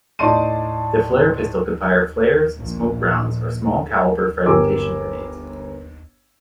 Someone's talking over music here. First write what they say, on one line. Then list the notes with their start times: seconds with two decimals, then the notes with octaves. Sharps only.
The flare pistol could fire flares, smoke rounds or small calibre fragmentation grenades.
0.19 A2 D#4 D5 A5 C6 D#7
2.56 A#1
4.46 G1 G4 A#4 G#5 D6 E6